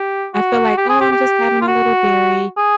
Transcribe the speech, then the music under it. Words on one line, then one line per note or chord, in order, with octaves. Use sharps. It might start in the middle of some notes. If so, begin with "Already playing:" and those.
I feel like, "Oh I'm just having a little dairy.
Already playing: G4
F#4
G4
G#4
G4
G4
F4
F#4
G#4